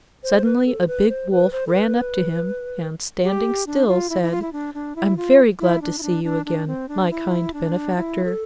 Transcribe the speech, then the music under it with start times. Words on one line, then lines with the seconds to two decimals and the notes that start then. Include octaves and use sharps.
Suddenly a big wolf ran up to him, and standing still said, 'I'm very glad to see you again, my kind benefactor.
0.23 C5
0.44 B4
0.66 A4
0.87 B4
1.09 C5
1.31 B4
1.52 C5
1.67 A4
1.73 B4
3.24 G4
3.66 D4
3.88 F4
4.09 E4
4.22 E4
4.31 F4
4.42 E4
4.52 D4
4.74 D4
4.96 E4
5.17 F4
5.60 E4
5.81 D4
5.98 E4
6.03 D4
6.24 D4
6.46 D4
6.67 C4
6.88 D4
7.10 E4
7.53 D4
7.96 E4
8.25 A4